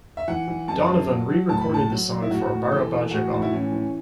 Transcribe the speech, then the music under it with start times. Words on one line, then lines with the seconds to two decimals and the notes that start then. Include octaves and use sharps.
Donovan re-recorded the song for "Barabajagal".
0.17 E5
0.28 E3 F#5
0.48 E3
0.68 F#2 A5
0.89 F#2
1.08 F#3
1.29 F#3
1.49 A2 A5
1.61 B5
1.70 A2 A5
1.90 F#3
2.10 F#3
2.22 E4
2.31 A2 F#4
2.51 A2
2.71 E3 A4
2.92 E3
3.11 A2 F#4
3.32 A2
3.42 E4
3.53 E3 C#4
3.72 E3